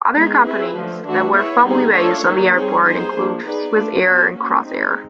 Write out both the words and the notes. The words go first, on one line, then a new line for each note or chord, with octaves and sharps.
Other companies that were formerly based on the airport include Swissair and Crossair.
G#3 B3 D#4 G#4
C4 E4 G#4 B4
D3 F3 A3
E3 A3 D4 F#4
B3 E4 G#4 C#5
D3 G3 B3 D#4 G#4
A3 D4 F4 A4 C#5
D#3 F#3 A#3 D#4
G3 C4 D#4 G#4 C#5
B3 D#4 G#4 C5
F3 A#3 D4
B3 D#4 G#4 B4 D5
A3 D4 F4
B3 D4 F#4
A#3 C#4 F#4
G#3 C4 D#4